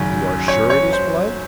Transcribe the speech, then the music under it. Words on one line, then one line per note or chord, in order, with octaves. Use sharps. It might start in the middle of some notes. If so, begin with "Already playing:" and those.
"You are sure it is blood?"
Already playing: G#1 F#2 C#3
C#5
C#5
C5